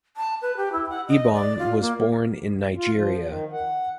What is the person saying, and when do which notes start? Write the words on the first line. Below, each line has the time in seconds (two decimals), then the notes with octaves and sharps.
Ebong was born in Nigeria.
0.17 A5
0.42 B4
0.57 G4
0.73 E4
0.90 F#5
1.08 D#5
1.34 D5
1.59 F4
1.81 A#3
2.76 F4
2.96 F3
3.24 D#3
3.52 F#5